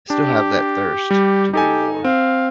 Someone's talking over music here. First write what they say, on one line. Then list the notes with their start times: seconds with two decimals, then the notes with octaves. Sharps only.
still have that thirst to do more.
0.10 D4 G4
1.11 G3
1.53 D#4 G4 A4 G#5
2.04 C4 F5